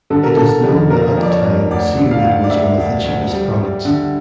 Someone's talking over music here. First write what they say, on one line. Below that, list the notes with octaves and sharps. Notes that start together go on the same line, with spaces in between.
It is known that at the time seaweed was one of the cheapest products.
D3 A4
A#4
D3 A4
F2
A#3 A#4
F2
D5
C#5
F2
D2 D5
D3
F5
D2
D5
D2 E5
D2
D2
G3
G3
D3